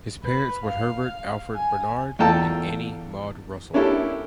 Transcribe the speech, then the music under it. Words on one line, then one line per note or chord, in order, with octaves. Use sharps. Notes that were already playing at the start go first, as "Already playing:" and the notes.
His parents were Herbert Alfred Barnard and Annie Maude Russell.
B4
F5
G#5
E2 F4 A4 G5 A5 A#5
A#3 C#4 D4 E4 G4 A4